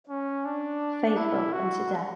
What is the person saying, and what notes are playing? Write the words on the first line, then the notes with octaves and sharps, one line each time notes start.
Faithful unto death.
C#4
D4
E4
F#4